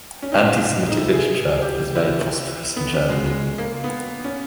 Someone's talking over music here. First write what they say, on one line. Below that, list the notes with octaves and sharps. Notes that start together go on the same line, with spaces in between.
Anti-Semitic literature is very prosperous in Germany.
C#4
D#4
D#4
E4
G#4
G4
E4
B3
C#4
G#3
G#3
A#3
B3
C#4